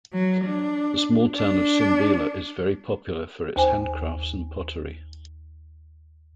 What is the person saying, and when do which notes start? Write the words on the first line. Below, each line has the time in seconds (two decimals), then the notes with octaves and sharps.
The small town of Simbila, is very popular for its handcrafts and pottery.
0.13 F#3
0.45 D4
1.35 D4
3.56 D#2 C5 G#5